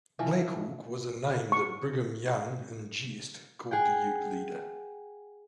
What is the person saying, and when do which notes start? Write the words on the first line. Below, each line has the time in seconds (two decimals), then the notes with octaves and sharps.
"Black Hawk" was a name that Brigham Young, in jest, called the Ute leader.
0.19 E3 F3
1.52 C#6
3.71 G#4 F#5 G5